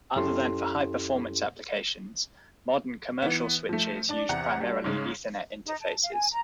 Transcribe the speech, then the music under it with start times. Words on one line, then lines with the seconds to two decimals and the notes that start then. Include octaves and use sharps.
Other than for high-performance applications, modern commercial switches use primarily Ethernet interfaces.
0.16 F#2 C#4 E4 G4 A4 C6
3.22 E3 B3
3.69 F3 A3
4.09 D4 D5
4.29 E2 C3 F#5 A#5
4.60 G3 D4 F#4
4.84 G#2 C#3 G#3
5.66 D#4
5.80 A5
6.02 F5
6.14 G#5
6.30 A#5